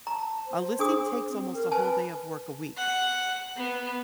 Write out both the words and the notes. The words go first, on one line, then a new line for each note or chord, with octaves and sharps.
a listing takes almost a whole day of work a week.
A5 A#5
C5
D4 G#4 D#6
C4
A#4
B4 G#5 A5
F#5
B3